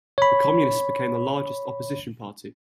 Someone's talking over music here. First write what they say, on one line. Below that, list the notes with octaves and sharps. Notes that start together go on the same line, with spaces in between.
The communists became the largest opposition party.
C#5 B5